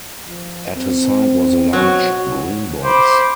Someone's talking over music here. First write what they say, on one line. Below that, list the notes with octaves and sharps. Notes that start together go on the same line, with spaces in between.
At his side was a large green box.
F3
C4
B2 F#3
C5 B5 D6